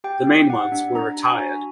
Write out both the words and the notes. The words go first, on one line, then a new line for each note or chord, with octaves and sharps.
The mean ones were retired.
G4 G5
G4
G4 F#5
D4
D4 A#5
D4
G#5
F#4